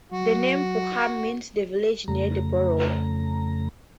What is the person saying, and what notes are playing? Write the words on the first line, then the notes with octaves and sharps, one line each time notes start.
The name "Burham" means "the village near the borough".
F#3 F#4
F2 C#3 A3 A#5